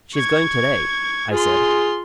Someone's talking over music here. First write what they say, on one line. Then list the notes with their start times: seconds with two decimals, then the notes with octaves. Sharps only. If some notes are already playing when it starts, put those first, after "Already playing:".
"She's going to-day!" I said.
0.15 C#6 G#6
1.31 F4 G#4 C6